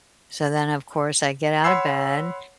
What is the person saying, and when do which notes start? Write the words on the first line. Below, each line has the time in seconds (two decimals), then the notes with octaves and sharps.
So then of course I get out of bed
1.64 C#5 F#5 B5 C6 E6 C7